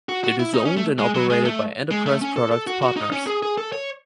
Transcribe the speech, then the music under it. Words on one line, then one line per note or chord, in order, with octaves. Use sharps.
It is owned and operated by Enterprise Products Partners.
F#4
F#4
E4
D#4
C#4
A3
G#3
F#3
G#3
A3
G#3
A3
C#4
A4
A4
F#4
F#4
D#4
C#4
G#4
G#4
A4
C#5